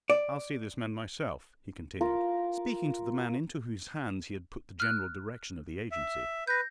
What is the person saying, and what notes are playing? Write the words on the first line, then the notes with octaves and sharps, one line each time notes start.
"I'll see this man myself," he continued, speaking to the man into whose hands he had put the general direction of the agency.
D5
F4 A#4
F6 F#6
E5
B4 G6 A#6